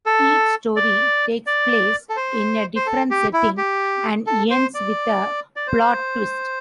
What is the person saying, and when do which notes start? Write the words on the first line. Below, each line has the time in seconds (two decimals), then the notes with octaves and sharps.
Each story takes place in a different setting and ends with a plot twist.
0.06 A4
0.76 D5
1.47 D5
2.09 A4
2.16 C5
2.76 C5
2.86 A4
3.11 G4
3.33 E4
3.57 G4
4.27 A4
4.50 C5
4.74 D5
5.56 D5
5.67 C5